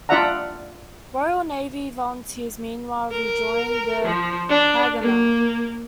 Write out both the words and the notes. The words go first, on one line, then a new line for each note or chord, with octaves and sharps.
Royal Navy volunteers, meanwhile, rejoined the Haganah.
D4 F4 D5 E5 F#5 A#5
A#4
F3
D4
A#3